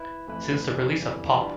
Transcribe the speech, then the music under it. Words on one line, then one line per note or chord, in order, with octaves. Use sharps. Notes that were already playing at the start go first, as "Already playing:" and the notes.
Since the release of Pop!
Already playing: E4 B4
F2 E3 A3 E4 B4
G1 F2 E3 G3
G1 F2 E3 G3
E3 G3 D4 F4